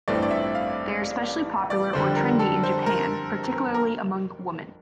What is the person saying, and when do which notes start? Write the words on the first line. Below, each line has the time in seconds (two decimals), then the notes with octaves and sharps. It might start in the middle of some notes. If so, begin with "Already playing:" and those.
They are especially popular or trendy in Japan, particularly among women.
0.08 A1 G2 E3 A3 C4 D5
0.22 D5
0.31 E5
0.55 F5
1.70 D5
1.93 F2 D3 G3 C5
2.16 A#4
2.39 A4
2.63 C5
2.86 A#4
3.74 A#4